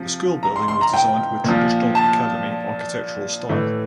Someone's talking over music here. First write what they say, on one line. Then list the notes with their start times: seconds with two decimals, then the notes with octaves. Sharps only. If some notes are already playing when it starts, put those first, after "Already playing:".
The school building was designed with traditional academy architectural style.
Already playing: C3 F3
0.43 A#5
0.56 C6
0.68 C6
0.81 A#5
0.94 G5
1.44 A#2 F3
1.95 A5
3.49 A2 E3